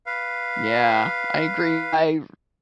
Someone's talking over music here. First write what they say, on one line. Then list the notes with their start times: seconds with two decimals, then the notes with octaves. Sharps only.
Yeah, I agree. I
0.06 B4 F5